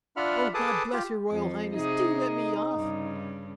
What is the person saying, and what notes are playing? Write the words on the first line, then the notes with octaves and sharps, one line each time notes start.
'Oh, God bless your royal highness; do let me off!
D4 F4 E5 F#5 B5 F6
G#4 A4 B4 A5 D6 D#6
F4 G4
F2
C3 D#4 G#4 D#5
G2 C#3